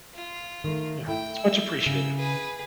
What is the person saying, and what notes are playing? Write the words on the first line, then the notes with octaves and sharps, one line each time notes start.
Yeah, it's much appreciated.
F4
D#3 A3
A3 E4 G5
E6
C#3
G#4 B4